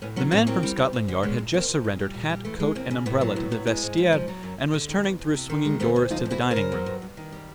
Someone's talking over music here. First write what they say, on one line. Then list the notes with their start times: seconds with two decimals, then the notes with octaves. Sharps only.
The man from Scotland Yard had just surrendered hat, coat, and umbrella to the vestiaire and was turning through swinging doors to the dining-room.
0.02 A2 B3 C#4
0.16 F#3 B3 C#4
0.31 A2 B3 C#4
0.47 F#3 A#3 C4
0.63 G3
0.78 D2
0.93 D2
1.08 D3
1.23 G#3 B3 C#4
1.38 A#2
1.53 A#2 A#3 C4
1.69 F3
1.84 A#2
2.00 G3
2.14 A#2
2.30 G3
2.45 E3 A3 B3
2.60 G#3
2.75 D#2 A#3 C4
2.91 C#3
3.06 A2 A3 B3
3.21 F#3
3.36 A2
3.52 F#3
3.67 G#3
3.82 G#2
3.97 G#2
4.13 F3
4.28 F#3
4.43 F#2
4.59 F#2
4.74 D3
4.89 D#3
5.04 E2
5.19 E2
5.34 C3
5.50 D#3 A#3
5.65 G#3
5.80 D2 A3 B3
5.96 C3
6.10 F3 D#4 F4
6.26 D2
6.31 E4 F#4
6.41 D2
6.51 A#4 C5
6.56 C#3
6.72 F#3
6.86 G2
7.02 G2
7.17 D#3
7.32 G3